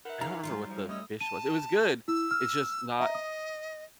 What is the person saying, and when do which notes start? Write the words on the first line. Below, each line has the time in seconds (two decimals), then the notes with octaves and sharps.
I don't remember what the fish was it was good, it's just not
0.05 D#4 A#4 B4 E5 F#5
0.21 C#3 D#4 F5 F#5 A#5
0.43 G2 F#3 G3 F4
0.70 C#3 F3
0.89 A3 C#4 D#5 D#6 E6
1.21 A5 D#7
2.08 E4 E6
2.31 F6
3.00 D#5 E5 A#5
3.15 D#6